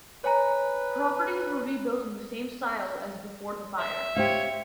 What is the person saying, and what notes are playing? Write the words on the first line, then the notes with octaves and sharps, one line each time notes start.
Properties were rebuilt in the same style as before the fire.
B4 C#5 G#5 A#5
E5
G4 C5 C#5 F5